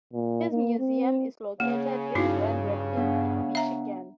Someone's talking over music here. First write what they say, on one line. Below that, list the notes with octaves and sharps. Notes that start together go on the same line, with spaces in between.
His Museum is located in Grand Rapids, Michigan.
A#2
A#3
C4
C#3 A#3
G2 D#4 E4 F#4
B3 D4 F#5
E5 A#5